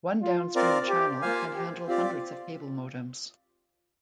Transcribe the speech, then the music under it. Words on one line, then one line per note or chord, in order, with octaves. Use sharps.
One downstream channel can handle hundreds of cable modems.
F4
C4 F4 A#4 D5
G4
A#3 F4 C5 F5 G#5
G4
C4 F4 G4 D5